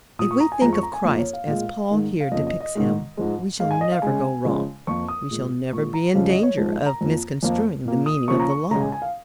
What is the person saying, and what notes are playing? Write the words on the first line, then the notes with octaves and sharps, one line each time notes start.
If we think of Christ as Paul here depicts Him, we shall never go wrong. We shall never be in danger of misconstruing the meaning of the Law.
A#2 A#3 D#6
C#6
A#5
G#5
F2 F3 G#3 A#5
C#6
A#5
G#5
F2 F3 A#3 F5
C#5
F5
A#2 G#3 F5
G#2 D#3 G#3
F5
F2 C#3 A#3 D#5
D#5
D#5
G#2 D#3 G#3
G#2 F3 G#3
G#2 G#3 F5
G#5
D#5
F5
C#3 G#3 G#5
C#3 F3 G#3
F2 F3 A#3 C#6
D#6
A#2 G#3
A#2 G#3 C#6
A#5
F2 C#3 F3 G#3 F5
D#5
C#5
G#2 F3 G#3
A#5
F2 F3 A#3
F2 F3 A#3
A#2 A#3
D#6
C#3 F3 A#3 C#6
A#5
C#6
C#3 G#3 A#5
G#5
G#5
F5